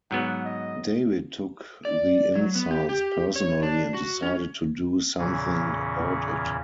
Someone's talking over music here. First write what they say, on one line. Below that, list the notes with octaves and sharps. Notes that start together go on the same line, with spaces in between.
David took the insults personally and decided to do something about it.
G#2 F#3 B3 F#5
D#5
D5
F#3
B3
G4
G4
C#5
D4
F#4
C#4
E2 A#2 C#3 E3 C#4 G#4